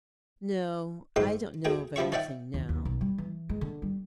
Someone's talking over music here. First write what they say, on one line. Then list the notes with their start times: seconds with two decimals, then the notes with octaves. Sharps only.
"No, I don't know of anything now."
1.16 A1 G#2 G5 C6
1.65 D2 G#4 G5
1.96 F3 G3 G4 E5 C#6
2.12 C#4 D#4 D5 E5 F#5 G5
2.54 D#2
2.69 D#2
2.85 B1
3.01 G3
3.18 E3
3.49 G#3
3.61 D3
3.82 G3